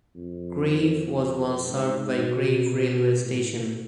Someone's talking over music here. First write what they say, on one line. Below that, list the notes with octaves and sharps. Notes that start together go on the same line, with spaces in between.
Crieff was once served by Crieff railway station.
F2
F2
G#2
B2
B2
A2